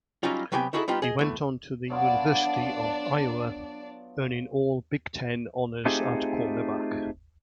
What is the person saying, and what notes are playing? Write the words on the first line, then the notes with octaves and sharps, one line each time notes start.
He went on to the University of Iowa, earning all-Big Ten honors at cornerback.
F#3 G3 C#4 D#4 F4
C3 F#3 B3 G4 G5 G#5
D#4 E4 F#4 G#4 A4
G3 B3 D#4 F4 G4
G#4 D#5
E2 A3
F#3 B3 D4 F4 D5
A3 C4 D#4 F4 G4 G#4